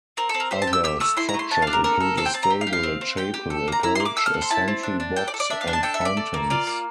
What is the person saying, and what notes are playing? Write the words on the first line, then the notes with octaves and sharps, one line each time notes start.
Other structures include a stable, a chapel, a garage, a sentry box and fountains.
C4 A#4
A4
C4
A#4
G4 C5
A5
G4
E6
G4 E6
A3 E6
E4 C6
A#5
A3 C6
D4 A5
D4 F5
A#4
A4 A#4
A4
C4 A4
G5
C4 A5
A#5
G4
F5
G4
F5
C4
C4
G4 G5
G4
A4
A#3 A#5
E4 A#5
A#3 C6
D6
A4 E6
F6
C4
C6
E4 A5
C4
D4
D4
A4 G5
D5
A4
D5
D4 E5
F5
D4
A5
A4 G5
E5
A4
D5
A4
A#3
F4 D5
A#3